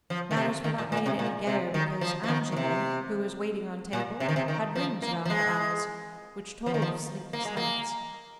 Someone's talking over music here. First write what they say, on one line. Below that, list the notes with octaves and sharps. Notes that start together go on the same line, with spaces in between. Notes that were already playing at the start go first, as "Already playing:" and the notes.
Matters were not made any gayer because Angele, who was waiting on table, had rings round her eyes, which told of sleepless nights.
F3
D#3
C3
D#3
A#2
A#2
C3
A#2
C3
D#3
F3
F3
D#3
D#3
C3
A#2
C3
D#3
C3
D#3
F3
A#3
F3
G#3
F3
D#3
F3
A#3
G#3
A#3